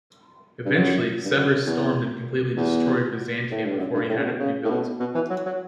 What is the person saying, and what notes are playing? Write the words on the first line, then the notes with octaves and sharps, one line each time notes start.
Eventually, Severus stormed and completely destroyed Byzantium before he had it rebuilt.
G2
F#2
G2
F#2
E2
E2
A2
G2
F#2
G2
A2
C#3
B2
C#3
A2
B2
B2
E3
F#3
F#3